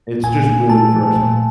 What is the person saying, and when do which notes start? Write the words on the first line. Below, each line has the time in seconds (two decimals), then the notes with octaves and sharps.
It's just really refreshing.
0.24 A#2 G#5
0.47 A#2
0.70 A3 A5
0.93 F3
1.16 A#2